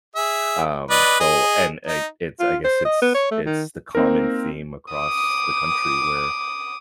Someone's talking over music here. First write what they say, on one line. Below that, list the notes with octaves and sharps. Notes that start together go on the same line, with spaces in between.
Um, so and i it's, I guess it's it's the common theme across the country where,
G#4 E5
B4 D5 D#5
G#4 D#5
D#4
F4
C5
D#5
B3
C#5
A3
D#3
A#3 C4 D#4 A#4
D6 D#6